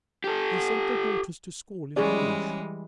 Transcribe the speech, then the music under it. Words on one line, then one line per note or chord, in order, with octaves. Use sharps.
They sent their daughters to school in Bruges.
G4 A4
E3 G3 G#3 C#4 G#4 D5